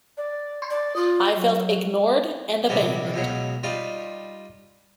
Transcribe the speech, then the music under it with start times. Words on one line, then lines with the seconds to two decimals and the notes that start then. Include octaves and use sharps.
I felt ignored and abandoned.
0.17 D5
0.70 D5
0.96 F4
1.35 F#3
2.69 A#1 C3 D#3 F#3 G3
3.14 C#2 B2 F#3
3.64 G3 D#4 F4